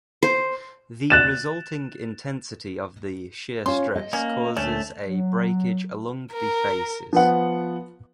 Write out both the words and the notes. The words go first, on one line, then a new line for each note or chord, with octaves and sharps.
The resulting intensity of the shear stress causes a breakage along the faces.
C5
F#6 A6 E7
C#4 F4 C6
D#5
A#3 C#4
D2 A3 C#4
F#3
A#4
F3 B3 F#5